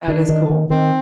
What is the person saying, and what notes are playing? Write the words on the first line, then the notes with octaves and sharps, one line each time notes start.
That is cool.
D#3 D4
D#3
D#3
D#3 C4